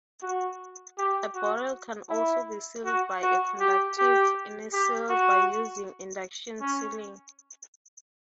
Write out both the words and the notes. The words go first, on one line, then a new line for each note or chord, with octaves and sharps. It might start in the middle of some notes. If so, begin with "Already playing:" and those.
A bottle can also be sealed by a conductive "innerseal" by using induction sealing.
F#4
G4
F#4
E4
F#4
F#4
G4
G4
G4
F#4
C#4